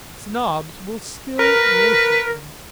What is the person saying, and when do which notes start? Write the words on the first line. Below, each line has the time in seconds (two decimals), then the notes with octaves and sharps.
Snobs will still worship him.
1.39 A#4 B4